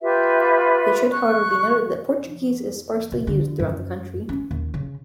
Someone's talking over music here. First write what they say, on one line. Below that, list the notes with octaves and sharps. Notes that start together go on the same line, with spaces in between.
It should however be noted that Portuguese is sparsely used throughout the country.
F4 G4 B4 E5
C#6 F#6
C3
D3
F#2
C#4
D#2
C#3